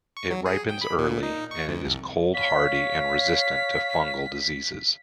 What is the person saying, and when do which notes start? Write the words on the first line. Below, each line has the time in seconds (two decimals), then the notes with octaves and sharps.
It ripens early, and it is cold-hardy and resistant to fungal diseases.
0.17 C#6
0.31 F#3
0.46 G#4
0.69 G5
0.81 B5
0.99 A#2
1.23 D#4
1.51 C#6
1.68 F2
1.85 C2
2.34 C#5 F5 B6